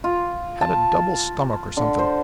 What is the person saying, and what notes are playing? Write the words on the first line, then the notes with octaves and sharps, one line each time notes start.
Had a double stomach, or something.
F4
A5
D3
C5